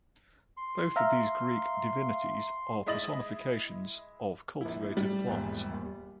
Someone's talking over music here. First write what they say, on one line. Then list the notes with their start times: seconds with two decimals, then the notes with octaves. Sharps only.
Both of these Greek divinities are personifications of cultivated plants.
0.57 C6
0.96 E5 F5 A#5
2.86 G#3 E4 D#5 D#6 A6 F#7
4.61 A#1 E4
4.97 G3
5.27 A#1 E2 G#2
5.71 D#2
5.84 G3